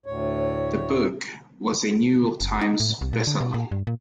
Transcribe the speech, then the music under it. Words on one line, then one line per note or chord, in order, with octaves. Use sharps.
The book was a "New York Times" bestseller.
D2 A2 C#5
F#1
D#4
A2
C2
A#2
D3
B2
A#2
G2
A#2